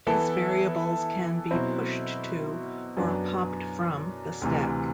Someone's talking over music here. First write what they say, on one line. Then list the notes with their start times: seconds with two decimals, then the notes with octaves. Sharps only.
These variables can be pushed to or popped from the stack.
0.07 E3 B3 E4 A4
1.51 B2 F#3 C4 E4
2.97 F#2 F#3 B3 D4
4.42 D2 C3 E3